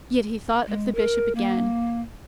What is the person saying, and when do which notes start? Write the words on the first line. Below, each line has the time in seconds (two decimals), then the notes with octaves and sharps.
Yet he thought of the bishop again.
0.67 G#3
0.95 A#4
1.35 A#3